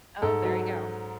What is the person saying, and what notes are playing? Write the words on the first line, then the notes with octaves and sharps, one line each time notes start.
Oh, there you go.
G#2 A4
F#3